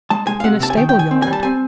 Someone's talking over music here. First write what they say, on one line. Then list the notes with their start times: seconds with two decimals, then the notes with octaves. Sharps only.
"In a stable-yard."
0.10 G#3 A5
0.27 G#3 G#5
0.40 F5
0.44 C3 F#5
0.60 C3 A5
0.70 G#5
0.77 D#3 G5
0.89 D#3 G5
0.99 G#5
1.11 C4
1.22 G3 G#5
1.33 A5
1.43 C4 G#5